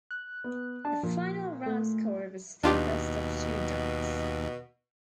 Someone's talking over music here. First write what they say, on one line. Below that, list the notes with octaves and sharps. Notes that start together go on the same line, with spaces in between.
The final round score was the best of two dunks.
F#6
B3
D4 A5
A#2 F3
A3
D#2 B2 D4 F4 G4